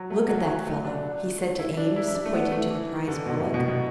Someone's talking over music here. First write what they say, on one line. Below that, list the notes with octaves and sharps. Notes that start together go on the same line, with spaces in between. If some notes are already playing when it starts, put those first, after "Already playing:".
"Look at that fellow," he said to Eames, pointing to the prize bullock.
Already playing: F#3
A3
F#3
F#3
A3
D4
E4
D4
E4
E4
D4
A3
B3
A3
E3
E3
D3
B2
A2
B2
B2